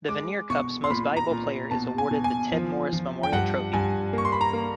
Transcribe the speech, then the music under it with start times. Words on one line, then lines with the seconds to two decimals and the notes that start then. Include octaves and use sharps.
The Vanier Cup's most valuable player is awarded the Ted Morris Memorial Trophy.
0.09 G#3 D6
0.50 B2 C#6
0.84 C6
0.90 A#2 B5
1.17 A#5
1.31 A#2
1.71 B2 A5
1.98 G#5
2.11 B2
2.24 G#5
2.52 F3
2.93 F3
3.23 G5
3.32 G2 F#5
3.73 G2 G#5
4.13 A#3 C#6
4.25 C6
4.32 B5
4.41 A#5
4.53 A#3